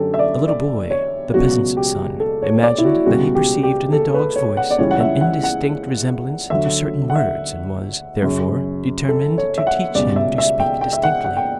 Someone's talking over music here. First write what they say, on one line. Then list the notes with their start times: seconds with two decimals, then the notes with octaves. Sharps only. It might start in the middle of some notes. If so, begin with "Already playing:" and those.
A little boy, the peasant's son, imagined that he perceived in the dog's voice an indistinct resemblance to certain words, and was, therefore, determined to teach him to speak distinctly.
Already playing: F#2 D3 F#3 G4 A4
0.14 E5
0.19 D5
0.48 D5
0.91 C#5
1.34 C#2 B2 F#3 F#4
1.77 G4
2.20 A4
2.42 C#5
2.63 D5
2.78 E4
2.85 F#4
3.06 C#2 B2 G3 F#4
3.35 G4
3.63 G4
3.93 A4
4.14 B4
4.36 C#5
4.57 F#5
4.71 D5
4.78 C#2 C#3 E3 G3 C#5
4.91 F#5
5.00 E5
5.21 F#5
5.43 F#5
6.50 D2 D3 F#3 E5
7.10 F#5
7.16 E5
8.22 F#2 C#3 F#3
9.09 A4
9.38 C#5
9.58 E5
9.67 F#5
9.95 C#2 B2 G3 D5
10.16 E5
10.38 E5
10.60 G5
10.81 G5
10.93 E5
11.03 F#5
11.25 F#5
11.37 G5